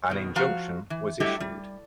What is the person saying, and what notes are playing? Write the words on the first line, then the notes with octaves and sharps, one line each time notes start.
An injunction was issued.
B2 D#3
F3 F#4 F5 A#5
E3
F#3 G3 A3 E4 G4 D#5
G3